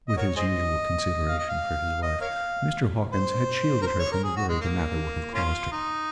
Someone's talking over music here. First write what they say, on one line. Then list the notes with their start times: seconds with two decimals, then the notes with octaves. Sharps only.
With his usual consideration for his wife, Mr. Hawkins had shielded her from the worry the matter would have caused her.
0.08 D#5
0.17 F#4 A#4 C#5
0.36 G#4 C5 D#5
1.28 F5
1.38 D#5
1.48 F5
2.02 D#5
2.21 A#4 C#5 F5
3.13 C5
3.82 A#4
3.87 C5
3.99 C#5
4.11 A#4
4.24 G#4
4.36 F#4
4.48 G#3
4.61 A#3
5.34 A#3 C#4 F4
5.72 D#4